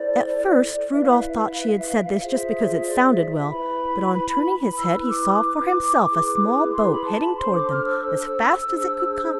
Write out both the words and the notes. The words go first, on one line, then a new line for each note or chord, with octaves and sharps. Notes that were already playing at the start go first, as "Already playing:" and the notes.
At first Rudolf thought she had said this just because it sounded well, but on turning his head he saw for himself a small boat heading toward them as fast as it could come.
Already playing: E4 A4 C5 D5
E4 B4 E5
F5
E5
F5
E5
F5
E5
F5
E5
F5
E5
F5
E5
F5
E5
F4 G#4 C5 F5
E5
D5
E5
E5
E4 B4 B5
E4 B4 E6
D6
E4 G#4 B4
C6
B5
A5
B5
D4 A4 C5 C6
D6
F6
E6
E6
D4 G#4 C5